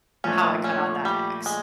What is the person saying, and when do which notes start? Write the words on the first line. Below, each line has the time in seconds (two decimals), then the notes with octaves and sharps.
how I cut out that ex.
0.24 A#2 F3 A3 C#4 D4
0.64 C#4
1.05 G3
1.46 G#3